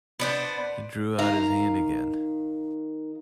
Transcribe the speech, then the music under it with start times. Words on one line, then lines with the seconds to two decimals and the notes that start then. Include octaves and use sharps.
He drew out his hand again.
0.20 B3 D4 C5
1.19 D#3 F5 A#5